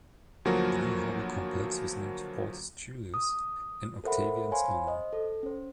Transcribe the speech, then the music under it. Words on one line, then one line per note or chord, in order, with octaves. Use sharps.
The new harbor-complex was named Portus Julius in Octavian's honour.
D2 F3 F#3 A#3 F#4 A#4
D#6
A4 A#4 C5 E5 F#5 B5
C5 C#5 F5 G#5 B5 C6
C5 D#5
A4
C#4 C5